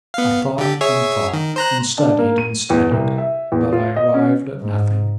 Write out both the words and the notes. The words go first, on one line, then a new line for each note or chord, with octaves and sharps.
I thought and thought and studied and studied; but I arrived at nothing.
B3 F5
D3 G4
G#4 C#5 E5
D#3
C5 A#5 F#6
D4
A#3
D#7
E2
C2
E5
E2
F4
D#5
C#4
G#2